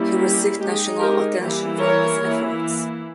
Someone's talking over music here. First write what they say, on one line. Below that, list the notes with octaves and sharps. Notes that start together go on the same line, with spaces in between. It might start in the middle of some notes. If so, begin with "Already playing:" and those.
He received national attention for his efforts.
Already playing: G3 A#3 C#4 E4
G4
G#3 D#4 G4
G4 A#4
E3 G3 A#3 E4 G4
A#4 C#5
E3 A#3 E4